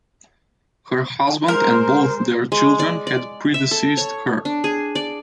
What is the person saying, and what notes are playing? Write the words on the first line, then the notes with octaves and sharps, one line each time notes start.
Her husband and both their children had predeceased her.
G#3 A#4 C5
G#3
D5
D5
E5
A4
C#5
D4
G#4
D5